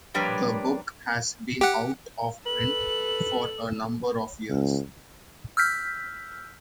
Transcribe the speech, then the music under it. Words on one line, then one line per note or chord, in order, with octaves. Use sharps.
The book has been out of print for a number of years.
F3 G3 A#3 D4 B4 C#5
G4 F#5
A4 B4 F#7
C#2
E6 F6 G6 B6